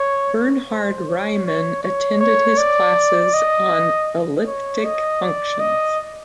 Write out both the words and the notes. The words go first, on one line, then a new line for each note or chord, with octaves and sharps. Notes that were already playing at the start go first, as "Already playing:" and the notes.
Bernhard Riemann attended his classes on elliptic functions.
Already playing: C#5
C5
C#5
C#5
C#5
C#5
D5
D#5
C#5
D#5
D5
D#5